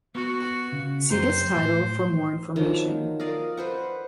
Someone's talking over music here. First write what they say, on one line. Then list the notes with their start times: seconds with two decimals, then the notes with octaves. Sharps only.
See this title for more information.
0.15 B3 F#4
0.72 C#3
1.10 F#2 G4 C5 A#5
1.55 A2
2.56 D#3 F3 F#3
3.20 A#4 D5 D#5 F5
3.57 B4 C5 F#5